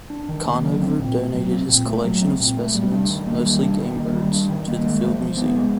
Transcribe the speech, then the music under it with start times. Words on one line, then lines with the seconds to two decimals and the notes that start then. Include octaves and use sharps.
Conover donated his collection of specimens, mostly game birds, to the Field Museum.
0.10 D4
0.29 D#3
0.45 A#3
0.63 F#3
0.81 C4
0.99 A#2
1.16 A3
1.34 F#3
1.51 C4
1.69 A#2
1.86 A3
2.04 F#3
2.21 C4
2.40 A#2
2.57 A3
2.75 G3
2.92 D4
3.10 D#3
3.27 A#3
3.45 G3
3.63 D4
3.79 D#3
3.97 A#3
4.15 G3
4.32 D4
4.49 D#3
4.68 A#3
4.84 G#3
5.03 F3
5.20 F3
5.37 B3
5.55 G#3